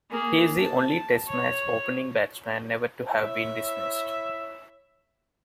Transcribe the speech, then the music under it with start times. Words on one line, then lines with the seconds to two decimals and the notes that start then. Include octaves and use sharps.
He is the only Test Match opening batsman never to have been dismissed.
0.11 A#3 G#4
0.56 A5
1.28 C#5
3.11 E4 C#5 E5